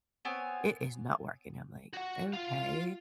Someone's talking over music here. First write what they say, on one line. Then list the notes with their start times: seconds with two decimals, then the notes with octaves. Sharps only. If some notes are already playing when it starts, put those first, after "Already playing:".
"It is not working," I'm like, "Okay,"
0.25 B3 C4 C#5 G#5
1.93 F#4 F#5
2.33 F4 F5